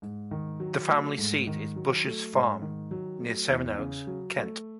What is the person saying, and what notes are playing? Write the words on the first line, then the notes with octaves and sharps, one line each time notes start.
The family seat is Bushes Farm, near Sevenoaks, Kent.
G#2
D#3
F#3
A3
G#2
D#3
F#3
A3
G#2
D#3
F#3
A3
E2
C#3
F#3
A3